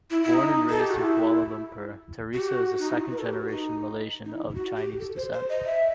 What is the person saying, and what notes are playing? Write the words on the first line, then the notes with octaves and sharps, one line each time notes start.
Born and raised in Kuala Lumpur, Teresa is a second-generation Malaysian of Chinese descent.
E4
E4
D#4
A4
G4
F#4
E4
F#4
G4
F#4
D#4
E4
F#4
B4
A4
G4
F#4
D#4
D#4
E4
E4
F#4
G4
A4
C5
C5
D#5
E5